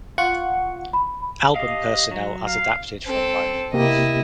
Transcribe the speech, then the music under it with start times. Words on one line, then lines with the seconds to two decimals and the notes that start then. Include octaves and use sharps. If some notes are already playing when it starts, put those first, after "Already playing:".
Album personnel as adapted from liner notes.
0.18 F4 F#5 C#6
0.93 B5
1.56 G4 D#5 F5
2.11 F#3
2.47 F5
3.06 C4 A4
3.73 C3 A#3 E4 G4 D#5